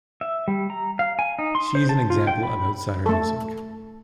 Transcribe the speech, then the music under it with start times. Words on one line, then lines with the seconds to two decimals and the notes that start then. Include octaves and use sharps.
She is an example of outsider music.
0.21 E5
0.48 G3
0.70 A#5
0.99 F5
1.19 G#5
1.39 D#4
1.55 C6
1.75 C5
1.89 A5
2.10 F4
2.27 G5
2.43 B5
3.06 A3 A4